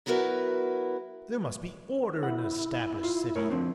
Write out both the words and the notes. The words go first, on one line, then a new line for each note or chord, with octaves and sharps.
There must be order in an established city.
F#3 B3 E4 F#4 A#4 B4
E4 F#5
F4
A3 A#4 C#5
F3 C4 D4